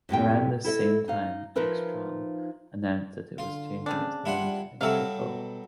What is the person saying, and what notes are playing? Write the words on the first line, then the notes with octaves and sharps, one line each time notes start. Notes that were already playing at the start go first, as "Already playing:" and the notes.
Around this same time, Exatron announced that it was changing its name to Entrepo.
F#2 A2 C3 G5
E4 A4 D#5 E5
D#4 F5
F3 D#4 F4 A#4 B4 E5
D3 F4
C#3 C4 D4
G3 E4 F4 F#5
C3 F#3 G3 F#4 A4 E5 F5
B2